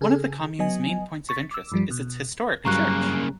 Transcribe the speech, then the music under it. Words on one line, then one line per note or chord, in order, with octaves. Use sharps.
One of the commune's main points of interest is its historic church.
C#3 G#4 A4
F#3 B3 D#5 G#5
C#6 A6 B6
D6 E6
G2 F3 G3
B2
G2 C#3 F#3 G3 A#3 A#5 C#6 F#6